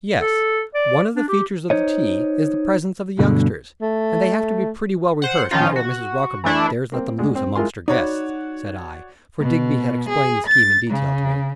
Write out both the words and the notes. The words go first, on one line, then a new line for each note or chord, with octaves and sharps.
"Yes; one of the features of the tea is the presence of the youngsters, and they have to be pretty well rehearsed before Mrs. Rockerbilt dares let them loose among her guests," said I, for Digby had explained the scheme in detail to me.
A4
D5
D4
G4
D#4 C5 C#5 D#5
D2 G2 B2 D3
A3
C5 F#5
D#3 F3 C#4 D#4 F4
F#4
E3 A3 D4 E4
A#3 C4
D2 G#3
C4
G#3 E4 F4 A#4 G#5 C6
D#4 F#4 C#5 D5 B5
B2
G#4
A6
C#3